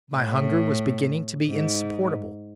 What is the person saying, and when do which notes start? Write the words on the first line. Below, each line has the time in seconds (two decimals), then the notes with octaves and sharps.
My hunger was beginning to be insupportable.
0.15 A2
1.47 G#2